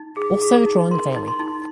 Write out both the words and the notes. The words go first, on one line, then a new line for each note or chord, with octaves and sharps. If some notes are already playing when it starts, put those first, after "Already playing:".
Also drawn daily.
Already playing: D#4
G#4
G#4
D#4
A#4 C6
D#4
C6
D#4